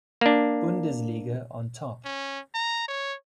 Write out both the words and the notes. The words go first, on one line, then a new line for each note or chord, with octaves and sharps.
Bundesliga on top.
A#3 D4
C#4
A#5
C#5